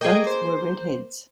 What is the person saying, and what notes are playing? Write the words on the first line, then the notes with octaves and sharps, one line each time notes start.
Both were red heads.
A#3 G#4 D#5 G5 G#6
C5